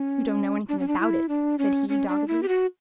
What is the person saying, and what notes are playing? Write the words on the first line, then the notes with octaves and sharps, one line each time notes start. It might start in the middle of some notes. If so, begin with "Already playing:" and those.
"You don't know anything about it," said he doggedly.
Already playing: C#4
D4
C#4
D4
E4
D4
C#4
C#4
D4
E4
G4
F#4